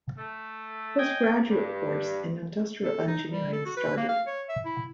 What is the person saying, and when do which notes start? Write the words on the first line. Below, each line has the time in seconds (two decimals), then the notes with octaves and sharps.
Postgraduate course in Industrial Engineering started.
0.17 A3
0.98 D#5 G5 G#5
1.48 G2
2.84 A4
3.07 D#4
3.32 G3
3.53 A4
3.65 F#4
3.77 B4
3.97 A#3
4.09 F5
4.27 C#5
4.49 E5
4.65 E4